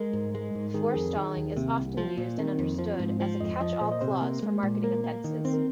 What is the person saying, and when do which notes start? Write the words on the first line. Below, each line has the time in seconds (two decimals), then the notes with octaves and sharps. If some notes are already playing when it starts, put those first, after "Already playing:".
Forestalling is often used and understood as a catch all clause for marketing offences.
Already playing: G#3 A#4
0.13 G#2
0.35 G#3
0.55 G#2
0.74 D#3 G#4
0.84 A#4
0.94 F2 G#4
1.15 D#3
1.37 D#2
1.56 C3 A#3
1.78 C2
1.97 F3
2.17 A#2
2.38 D#3 C4
2.45 A#3
2.53 C4
2.59 F2
2.78 F3
2.99 G#2
3.20 F3 C5
3.40 F2 D#5
3.60 F3 D#5
3.81 A#2 C5
3.92 D#5
4.01 C3 C5
4.22 A#3
4.42 G#3
4.63 A#2
4.83 A#3 A#4
5.04 A#3
5.24 D#3
5.45 C4
5.54 A#4